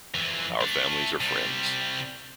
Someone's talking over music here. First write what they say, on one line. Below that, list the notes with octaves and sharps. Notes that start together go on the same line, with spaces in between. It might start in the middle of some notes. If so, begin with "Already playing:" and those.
Our families are friends.
F2 E3
A3 D4
C3 G3